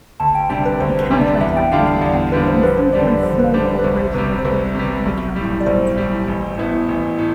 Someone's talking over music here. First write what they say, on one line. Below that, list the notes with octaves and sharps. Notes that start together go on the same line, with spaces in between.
A counterattack is the tactical and sometimes smaller operational equivalent of the counter-offensive.
D2 A5
G5
C3 G3 D4 G5
B4
D2 C5
B4
C3 G3 D4
D5
E2 E5
G5
D3 G3 D4 F4 F5
F5
E2 D5
D3 G3 D4 F4 B4
C5
F2 B4
C5
D3 G3 D4 D5
D5
F2 C5
B4
D3 G3 D4 C5
C5
B4
C2 C5
C3 G3 B4
C5
C2 B4
C3 G3
B1
A2 G3
D5
B1 C5
A2 G3
A1
A2 E3 B3 E4
A1
A2